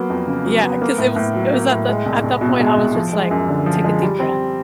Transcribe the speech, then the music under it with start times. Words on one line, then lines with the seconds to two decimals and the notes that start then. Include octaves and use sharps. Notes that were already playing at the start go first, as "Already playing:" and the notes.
Yeah, 'cause it was it was at the at that point, I was just like, "Take a deep breath
Already playing: F#3 A#3 B3
0.10 F2
0.27 C#3
0.45 F#3
0.63 B3
0.82 A#3
0.98 A2
1.16 A2
1.35 F#3
1.53 A#3
1.71 A2
1.89 G#3
2.06 C2
2.24 C2
2.41 B2
2.60 G#3
2.78 C2
2.95 F3
3.13 G#3
3.31 F#2
3.48 D3
3.66 F3
3.84 G#3
4.03 G3
4.20 C4